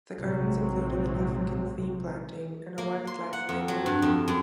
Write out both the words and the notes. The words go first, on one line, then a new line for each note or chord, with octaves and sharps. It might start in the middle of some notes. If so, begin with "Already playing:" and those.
The gardens included an African theme planting and a wildlife lake area.
A#1 G#2 C3 F#3 C4
A#3
C6
F#5
F2
F#3
G2
F2
F#2